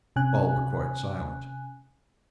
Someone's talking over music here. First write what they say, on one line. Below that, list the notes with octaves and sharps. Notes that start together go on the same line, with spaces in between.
All were quite silent.
C3 C#4 G#5 F#6